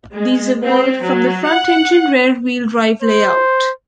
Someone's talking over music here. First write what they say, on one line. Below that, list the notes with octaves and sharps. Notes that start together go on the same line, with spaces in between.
These evolved from the front-engine rear-wheel drive layout.
G#3
C4
F#3
F#5
C5